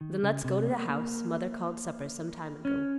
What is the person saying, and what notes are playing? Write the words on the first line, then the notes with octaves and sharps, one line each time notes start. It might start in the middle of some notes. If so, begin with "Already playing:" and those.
"Then let's go to the house; Mother called supper some time ago."
D#3
C#3
C3
A#3
A#3
C#4